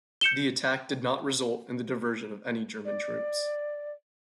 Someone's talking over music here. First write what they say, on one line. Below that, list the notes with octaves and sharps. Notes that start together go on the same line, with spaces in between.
The attack did not result in the diversion of any German troops.
G6 C#7 E7 G7
D5